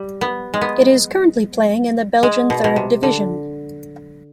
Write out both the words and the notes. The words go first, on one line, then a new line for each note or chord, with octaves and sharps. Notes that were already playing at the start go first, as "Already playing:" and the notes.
It is currently playing in the Belgian Third Division.
Already playing: G3
B3
G#3
B3
G#3
B2
B2
C3
D3